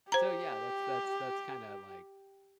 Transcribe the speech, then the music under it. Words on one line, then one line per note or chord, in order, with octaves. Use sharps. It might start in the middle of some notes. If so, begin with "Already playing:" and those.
so, yeah, that's that's that's kinda, like,
G4 C5 A#5